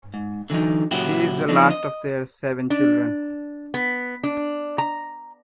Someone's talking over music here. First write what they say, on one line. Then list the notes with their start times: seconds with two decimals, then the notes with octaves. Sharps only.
He is the last of their seven children.
0.14 G#2
0.50 D3 E3 F#3 D#4
0.91 A#2 C#3 F#3 E4 F#4 G4
1.48 F3 C4 D4 D#4
1.70 D#5
2.70 D4
3.74 B3
4.23 D4
4.78 A#5